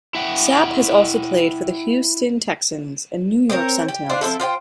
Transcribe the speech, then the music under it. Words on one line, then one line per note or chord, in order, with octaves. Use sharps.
Sapp has also played for the Houston Texans and New York Sentinels.
E4 E5 F#5 G5
C4 D4 A#4 C#5
G4
D4 F4 B4 C5
F3 C4 E4 A4
F4 C5 D5 G5